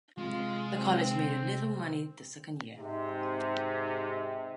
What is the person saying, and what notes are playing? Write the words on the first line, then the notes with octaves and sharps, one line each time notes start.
The college made a little money the second year.
C3 G#3 F4
C4
G#2 C3